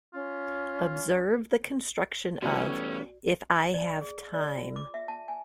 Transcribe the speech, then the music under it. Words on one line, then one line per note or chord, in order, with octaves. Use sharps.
Observe the construction of: if I have time.
C#4 F4
B2 E3 G3 A3 C#4 F#4 D5
D5
G#4
D5
F4
D6
E5
A5
G#5